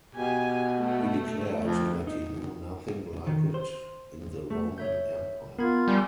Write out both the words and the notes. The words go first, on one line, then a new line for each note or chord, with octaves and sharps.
He declared that he knew nothing like it in the Roman empire.
B2 G4 G#5
A3
F2
D#4
D#3
C5
A3
C#5 E5 G6
B3 F4 A#4 B5 G#6
G3 G#5 G6